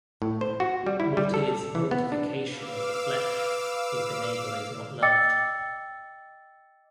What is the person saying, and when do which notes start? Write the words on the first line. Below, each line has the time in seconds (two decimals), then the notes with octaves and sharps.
What is mortification of the flesh if the neighbor is not loved?
0.22 A2
0.41 C5
0.60 F#4
0.86 G3
1.00 E4
1.17 G3
1.34 A4
1.75 E3
1.91 B3
2.12 D4
2.49 B4 F5 D6 E6
5.02 D#5 G5 D6 E6 A6 C#7